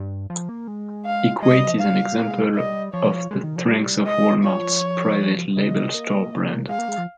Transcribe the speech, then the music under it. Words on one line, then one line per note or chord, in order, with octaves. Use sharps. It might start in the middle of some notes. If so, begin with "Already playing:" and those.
Equate is an example of the strength of Walmart's private label store brand.
Already playing: G2
F3
A#3
G#3
F5
G#3 D#5
G3
F3
G3 F5
A#3
G#3
G3
G#3
G3 D#5
F3 C#5
G#3
D#3
F3
G3
G3
G#3 D#5
F3 C#5
C#3 D#5
F3
G3
A#3
G#3 F5
A#3
G#3
F3